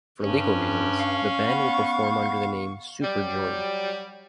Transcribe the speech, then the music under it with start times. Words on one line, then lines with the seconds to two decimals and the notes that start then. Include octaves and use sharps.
For legal reasons, the band will perform under the name "Superjoint".
0.22 G2 C#4
1.00 F5 C#6
1.44 B3
3.02 F#3 G3